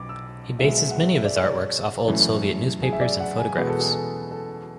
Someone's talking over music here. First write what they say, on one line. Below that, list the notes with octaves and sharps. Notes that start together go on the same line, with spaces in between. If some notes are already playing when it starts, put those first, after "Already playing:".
He bases many of his artworks off old Soviet newspapers and photographs.
Already playing: B1 D6
E6
B1 B2 G#3 E5
E5
F#5
E5
E5
D5
C#5
D5
F#2 E3 A3
G#4
E5
D5
F#5
G#5
E2 B2 G#3 B4
A4
G#4
A4
A4